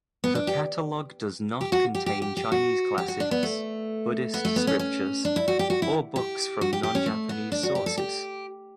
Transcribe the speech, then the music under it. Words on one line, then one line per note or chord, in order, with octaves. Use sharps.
The catalog does not contain Chinese classics, Buddhist scriptures, or books from non-Japanese sources.
B3
D4
G4
G4
F#4
G4
G4
G4
G4
F#4
G4
F#4
D4
B3
A3
B3
A3
B3
C#4
C#4
D4
E4
F#4
G4
F#4
E4
G4
F#4
G4
G4
C#4
A3
B3
D4
F#4
G4
A4
G4